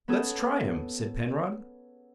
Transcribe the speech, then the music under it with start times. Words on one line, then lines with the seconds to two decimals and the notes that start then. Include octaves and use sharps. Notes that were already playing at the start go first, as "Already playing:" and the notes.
"Let's try him," said Penrod.
0.08 B3 C#4 G#4 A4